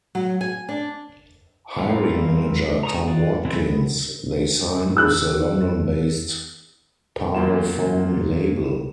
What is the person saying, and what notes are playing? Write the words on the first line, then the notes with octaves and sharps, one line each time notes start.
Hiring manager Tom Watkins, they signed with the London-based Parlophone label.
F#3
G#5
D4
G3 A#3 C4 E4 F4
A#5 C#6 D#6
F4 G4 B4 D5 F5
E3 F#3 G#3 C4 E4
B3
E6 F#6
E2 A#3 F4 E7